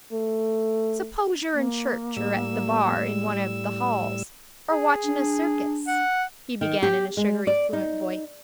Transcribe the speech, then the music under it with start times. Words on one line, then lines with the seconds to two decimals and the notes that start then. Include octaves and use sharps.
"Suppose yer in church or at the bar in one of the halls,--or watchin' a circus," he began in a sugary, fluent voice.
0.13 A3
1.54 A#3
2.17 A2 G3 E6
4.70 G#4
5.04 D4
5.87 F#5
6.61 D#3
6.83 G4
7.17 G#3
7.47 D5
7.73 D#4